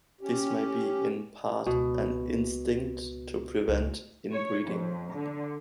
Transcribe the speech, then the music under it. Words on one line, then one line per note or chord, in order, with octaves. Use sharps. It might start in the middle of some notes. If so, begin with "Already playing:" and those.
This may be in part an instinct to prevent inbreeding.
C#4 G4
C#2 B2
C#2
C#5
F2
D3